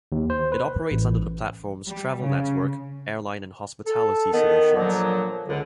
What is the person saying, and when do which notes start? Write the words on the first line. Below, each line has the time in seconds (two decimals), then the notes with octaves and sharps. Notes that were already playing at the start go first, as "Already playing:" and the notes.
It operates under the platforms Travel Network, Airline and Hospitality Solutions.
0.12 D#2
0.30 C5
0.52 B4
0.91 A1
1.87 G3
2.21 C#3
3.87 A4
4.33 D#3 B3
4.75 A#2 D3 F3 F#3
5.48 C#2 D3